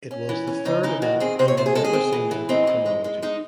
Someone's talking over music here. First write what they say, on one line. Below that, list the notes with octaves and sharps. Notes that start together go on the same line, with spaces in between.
It was the third event in the Never Say Never chronology.
C#4
E3
C#4
C#3 D#4
E3 D#4
D#3 F#4
C4 G#4
C3 C5
C#5
C3 C5
G#4
G#3 A4
G#4
C4
E3
E3
C4 D#4
E3
G#3
G#3
G#3 D#4